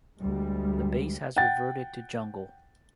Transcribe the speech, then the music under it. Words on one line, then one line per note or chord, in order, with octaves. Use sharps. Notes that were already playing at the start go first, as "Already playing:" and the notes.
The base has reverted to jungle.
D2 G3 G#3
F#5 G5 A6